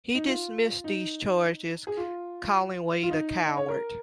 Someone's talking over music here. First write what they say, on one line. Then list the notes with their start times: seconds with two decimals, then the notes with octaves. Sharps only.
He dismissed these charges, calling Wade a coward.
0.15 D#4
0.27 F4
0.84 D#4
1.87 G#4
1.97 F4
3.03 F4
3.11 D#4
3.46 D#5
3.57 C#5
3.68 A#4